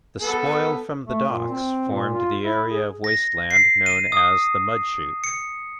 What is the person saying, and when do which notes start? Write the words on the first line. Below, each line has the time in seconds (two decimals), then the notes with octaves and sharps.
The spoil from the docks formed the area of wasteland known as the Mudchute.
0.20 B3 A4
1.07 A3
1.27 A#2
1.49 C4
1.89 A#2
2.15 F4
2.44 E4
2.70 G#4
3.04 A#6
3.51 C7
3.86 D#7
4.12 D#6
5.24 C#7